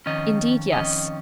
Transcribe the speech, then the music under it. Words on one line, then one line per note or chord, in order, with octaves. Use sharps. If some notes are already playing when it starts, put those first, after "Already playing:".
'Indeed, yes.
F2 D#3 C#4 D#5
F2 D#3 C#4 D#5